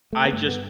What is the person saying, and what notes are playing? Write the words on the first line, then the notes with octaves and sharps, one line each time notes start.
I just
A3
B3
G2 D3 A3
B3